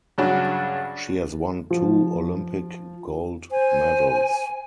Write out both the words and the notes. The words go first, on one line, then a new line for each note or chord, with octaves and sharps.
She has won two Olympic gold medals.
G2 C#3 F#3 C#4 D4 F#4
F3
C5 G#5